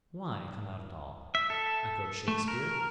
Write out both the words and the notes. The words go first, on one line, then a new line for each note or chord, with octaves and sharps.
"Why come out at all?" echoed Shakespeare.
E5
A4
A3
A#4